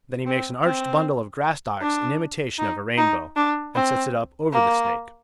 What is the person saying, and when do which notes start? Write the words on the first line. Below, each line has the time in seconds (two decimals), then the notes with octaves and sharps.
Then he makes an arched bundle of grass stalks in imitation of a rainbow, and sets it up over the snake.
0.26 C4
0.65 C4
1.81 D4
2.59 D#4
2.97 D#4
3.36 D4
3.75 C4
4.53 A#3